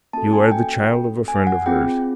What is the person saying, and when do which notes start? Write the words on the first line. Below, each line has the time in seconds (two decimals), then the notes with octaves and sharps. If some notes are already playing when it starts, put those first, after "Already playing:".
You are the child of a friend of hers.
0.13 A#3 C#4 F#4 A4 A5
0.33 G#5
0.52 G5
1.28 G#5
1.47 F#5
1.66 C4 F4 G#4 G5